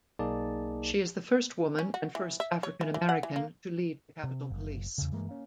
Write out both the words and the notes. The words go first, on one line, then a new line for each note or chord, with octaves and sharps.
She is the first woman and first African American to lead the Capitol Police.
B1 A#3 D#4 G#4 D5 A5
C#4
F#4
E3
E5
C#5
E3
E3
F#5
E3
A#3
C3
F#1
E2 C#3
G2 E3 G#3 A#3
A#3 C#4